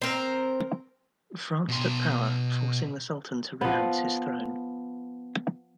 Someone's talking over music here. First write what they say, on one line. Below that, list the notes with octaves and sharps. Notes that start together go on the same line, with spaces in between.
France took power, forcing the sultan to renounce his throne.
C4 A#4
B2 C6
F3 B3